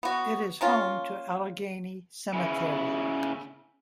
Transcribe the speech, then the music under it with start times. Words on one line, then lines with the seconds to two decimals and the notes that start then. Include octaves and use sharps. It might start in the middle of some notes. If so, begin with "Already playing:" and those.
It is home to Allegheny Cemetery.
0.03 B3 F#4
0.61 A#3 C#4 F4
2.33 C#3 E4